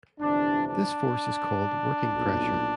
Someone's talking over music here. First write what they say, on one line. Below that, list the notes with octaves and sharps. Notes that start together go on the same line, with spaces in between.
This force is called working pressure.
G1 F2 C3 E3 D4
D4
B1 A#2